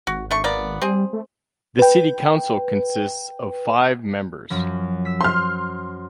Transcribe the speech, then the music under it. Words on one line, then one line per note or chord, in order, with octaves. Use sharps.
The city council consists of five members.
G#1 F#4
A3 D4 C#6
A#3 B3 D5
G3 C4 G#4
A3
B4 G5
F#2 F3 F#3
E6 B6
C5 C6 F6